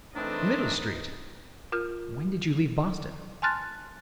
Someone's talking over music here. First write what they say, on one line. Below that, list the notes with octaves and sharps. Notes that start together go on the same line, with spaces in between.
"In Middle Street." "When did you leave Boston?"
E3 A3 C4 D4 D#4 A#4 B4 D#5
F4 A#4 F6
G#5 A5 C6 F6 F#6 A6